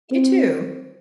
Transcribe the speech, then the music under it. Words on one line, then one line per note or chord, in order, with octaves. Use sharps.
You, too.
C4